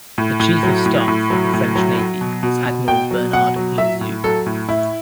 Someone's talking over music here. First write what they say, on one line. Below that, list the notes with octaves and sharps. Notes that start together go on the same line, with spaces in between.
The Chief of Staff of the French Navy was Admiral Bernard Louzeau.
A2
A2
F#3
A2
A2
F#3
A2
F#3
F#3
B2
B2
B2
B2 G5
F#3
B2 F#5
F#3
F#3 E5
A2
F#3 A4
A2
A2 E4